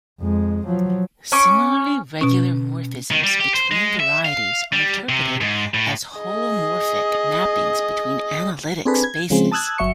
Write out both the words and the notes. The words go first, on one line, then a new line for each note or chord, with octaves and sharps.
Similarly, regular morphisms between varieties are interpreted as holomorphic mappings between analytic spaces.
F2 G#3
F3 F#3
C#4 C#6 D6
B2 C#4
D#3
G3
G4
C5
G#3
E5
F5
G3
C3
G#2
A2
G#4 D#5
C4 D4 G#4 A4 B4
G#6
C#3 F3 G#3 C4
A5 D#6 E6 F#6 G#6
G1 F#3 E5 C#6 C#7